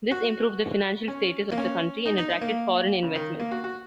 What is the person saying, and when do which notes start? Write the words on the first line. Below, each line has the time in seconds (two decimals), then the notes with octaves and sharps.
This improved the financial status of the country and attracted foreign investment.
0.11 F#4
1.08 C#4
1.52 A#3
1.58 C#4
2.06 D#4
2.18 D#4
2.29 D#4
2.41 A#3
3.03 C#3
3.15 D#3
3.40 A#3
3.51 F#4
3.64 F#4